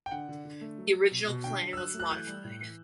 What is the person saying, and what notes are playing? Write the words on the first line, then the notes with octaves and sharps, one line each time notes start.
The original plan was modified.
G5
D3 F#5
D3
D3
A3
F#3
F#3
B2
B2
D3 G5
F#3
E6
F#3 F#6
A3
F#6
E3 G6
G3
A2
E3